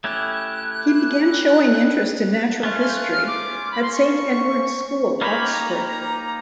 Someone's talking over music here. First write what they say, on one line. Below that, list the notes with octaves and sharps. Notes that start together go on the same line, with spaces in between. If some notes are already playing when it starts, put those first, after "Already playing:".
He began showing interest in natural history at Saint Edward's School, Oxford.
A3 C#4 E4 G4 F#6
A3 C#4 F4 F#6
F6
G6
F#6
F6
D6
B5
C6
C#6
A#3 D#4 G4 A#4 C#5 B5
A#5
A#5